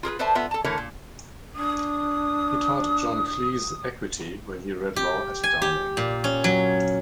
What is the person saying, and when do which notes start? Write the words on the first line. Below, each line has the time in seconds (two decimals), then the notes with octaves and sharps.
He taught John Cleese Equity when he read law at Downing.
0.03 F4 G#4 A#4 B4
0.19 A4 B4 C5 D5 E5 A5
0.35 B3 F4 A4 E5
0.51 A4 A5
0.64 D3 E3 A3 A4 A#4 C#5
0.78 A#2
1.55 D4 D#6
4.96 G4
5.43 G#5
5.62 G4
5.97 A#2
6.24 C#4
6.44 F#3